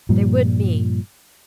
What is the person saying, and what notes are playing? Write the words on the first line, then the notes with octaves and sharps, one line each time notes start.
They would me.
G2 A#2 F3 G3